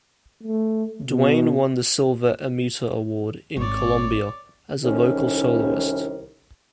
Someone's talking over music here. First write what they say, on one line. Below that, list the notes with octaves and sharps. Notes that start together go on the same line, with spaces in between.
Dwayne won the Silver Ermita award, in Colombia, as a vocal soloist.
A3
B2
G#1 C#5 D5
C2 A2 D#3 C#4